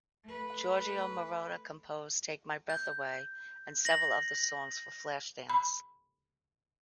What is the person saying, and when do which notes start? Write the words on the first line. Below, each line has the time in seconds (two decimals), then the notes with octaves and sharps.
Giorgio Moroder composed "Take My Breath Away" and several of the songs for "Flashdance".
0.24 A3 B4
2.70 G6
3.85 A#6 F#7
5.50 B5